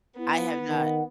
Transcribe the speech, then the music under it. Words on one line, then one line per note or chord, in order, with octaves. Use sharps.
I have not.
B3 E4
D#3 F#5